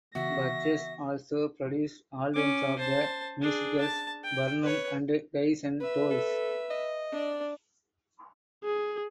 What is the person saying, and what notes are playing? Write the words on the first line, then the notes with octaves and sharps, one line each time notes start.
Burgess also produced albums of the musicals "Barnum" and "Guys and Dolls".
C#3 E3 B3 F#4 E5 A#6
C#4 D6
C5 A5
D4 G#4
A5
G5
B4 C#5
B4 E5
A4
D#5
D4 D5
G#4